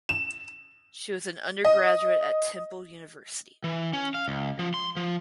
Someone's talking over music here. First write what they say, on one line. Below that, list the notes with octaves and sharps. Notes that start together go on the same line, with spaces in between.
She was an undergraduate at Temple University.
E7
D#5
E3
C#4
F5
C#2
F3
C6
F3